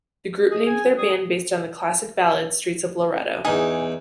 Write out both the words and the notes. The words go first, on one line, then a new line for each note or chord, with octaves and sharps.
The group named their band based on the classic ballad Streets of Laredo.
G#4 D#5
G#5
F#3
G3 G#4
E2 D#4 G#4